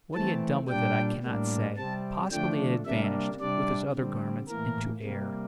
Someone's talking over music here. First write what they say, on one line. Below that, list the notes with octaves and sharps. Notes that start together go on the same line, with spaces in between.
What he had done with it I cannot say; possibly it had vanished, with his other garments, into air.
E3 A3 C4 A5
A#2 G3 D4 G5
A2 G3 A#3 D4
C3 G3 C4 A5
D3 F3 A3 D4 G5
C3 G3 A#3 D4 E5
C3 G3 D4 D5
D3 G3 C4
A2 E3 A#3 A#4
C3 G3 A#3